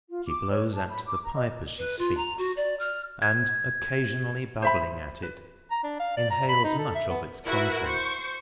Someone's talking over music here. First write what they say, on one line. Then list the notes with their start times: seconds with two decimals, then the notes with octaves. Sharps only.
She blows at the pipe as she speaks, and, occasionally bubbling at it, inhales much of its contents.
0.09 F4
0.26 D6
0.50 C#5
0.72 A5
0.89 B5
1.06 D6
1.24 A#5
1.35 D#5
1.78 B4
1.98 F4
2.17 A#5
2.37 F#4
2.56 D5
2.79 F6
3.22 G#6
4.62 C5 E5 B5
5.23 B4
5.71 A#5
5.84 D4
6.00 F5
6.17 D5
6.31 A#5
6.49 B5
6.64 D#4
6.78 A4
6.95 E5
7.09 B3
7.46 E4 F#4 A#4 B4 E5
7.84 C5 C#6